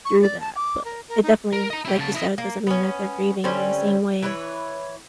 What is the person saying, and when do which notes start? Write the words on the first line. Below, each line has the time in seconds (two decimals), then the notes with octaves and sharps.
through that, but it definitely, like you said, doesn't mean that they're grieving in the same way
0.05 C#6
0.22 D5
0.40 A5
0.56 D6
0.85 A#4
1.09 A#4
1.23 D#4
1.53 A#4
1.70 D#5 A#5
1.85 E4 G4
1.98 C#3 A5
2.15 E4 D#5
2.38 A#3
2.67 B3 C#4
3.44 D3 G3 C4 C#4
4.22 E3 B4 C#5